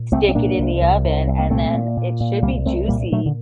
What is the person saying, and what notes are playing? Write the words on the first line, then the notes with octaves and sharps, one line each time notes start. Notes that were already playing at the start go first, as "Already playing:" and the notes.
stick it in the oven and then it should be juicy
Already playing: A#2
C2 A3 C4
C4
A#2 A#3 D4
C2
C2
C2
C2
A#3
A#2 A3 C4
A#2
A#2
A#2
C2 G3 A#3
C2 A3 C4
A#2 G3 A#3
A#2 F#3 A3
D3